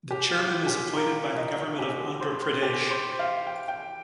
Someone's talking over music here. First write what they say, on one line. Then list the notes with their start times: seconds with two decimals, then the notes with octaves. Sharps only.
The chairman is appointed by the Government of Andhra Pradesh.
0.11 G4
0.39 F4
0.67 G4
0.95 A#4
1.37 D#5
1.79 G4
2.00 G4
2.21 C5
2.42 C5
2.63 G4
2.91 C5
3.19 F5
3.47 G5
3.68 G5